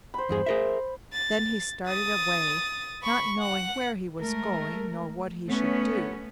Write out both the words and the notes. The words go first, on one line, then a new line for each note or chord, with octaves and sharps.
Then he started away, not knowing where he was going nor what he should do.
C5 B5
E2 G2 G#4
G#4 A#4 E5
A6
D#6 A6
B5 C#6
F#5
G#3 A3 A#4
A3 B3 C#4